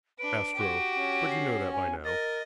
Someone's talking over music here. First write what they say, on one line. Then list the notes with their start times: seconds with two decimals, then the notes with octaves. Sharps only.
"Astro, but you know that by now."
0.19 D4 B4 D7
0.55 F#4 G4
0.94 C#4
1.31 C7
1.73 G#5
2.05 A#4 D#5 A6